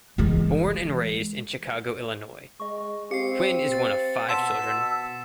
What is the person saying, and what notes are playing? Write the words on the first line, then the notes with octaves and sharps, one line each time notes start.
Born and raised in Chicago, Illinois, Quinn is one of five children.
E3 G#3
G#3 D#5 C#6
C4 G4 F5 C7 C#7
A6
B2 F#5 A5 C6 E6 B6 E7